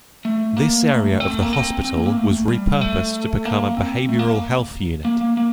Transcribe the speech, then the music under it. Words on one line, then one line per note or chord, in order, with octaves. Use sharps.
This area of the hospital was re-purposed to become a Behavioral Health Unit.
A3
A#3
A3
C4
A3
A#3
C4
C4
A#3
A#3
A3
G3
A3
A#3
C4
A3
A#3
A#3
A#3
A#3